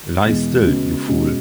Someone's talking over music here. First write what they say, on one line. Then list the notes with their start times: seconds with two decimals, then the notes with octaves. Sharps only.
Lie still, you fool!
0.24 E2 B2 G#3
0.66 C#3 G#3 B3 F#4
1.08 B2 G#3 C#4 F#4